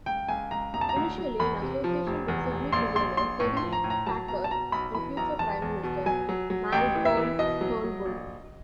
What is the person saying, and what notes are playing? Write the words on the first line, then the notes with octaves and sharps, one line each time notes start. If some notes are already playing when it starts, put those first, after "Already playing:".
Initially in association with Sydney billionaire Kerry Packer and future Prime Minister Malcolm Turnbull.
C#2 G5
C#2 G#5
C#2 A#5
E1 A#5
A5
A#5
D2
F#3
E2 B5
C3
F3
F1
E2
F1
A#1 C6
A#1 C6
A#1 C6
A2 C#6
C6
F3
A#5
A2
A#5
F#3 A5
B2 A#5
A5
B2 A#5
B1 B5
E3 B5
B1 A#5
E2 A5
E2
B2
F#3 G#5
F#3
F#3
A1 G5
E3
E5
E3
B2 D#5
F#3
F#3
A#1